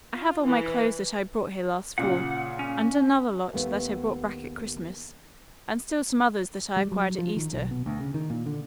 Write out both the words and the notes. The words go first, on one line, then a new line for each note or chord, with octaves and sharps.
I have all my clothes that I brought here last fall, and another lot that I brought back at Christmas, and still some others that I acquired at Easter.
F4
E3
A#2 C#3 A#3 F#5
C#4
D#2 A3 B3
G3
F#3
F3
D#3
B1
B2
D2
C#3
D#3
A#2
D3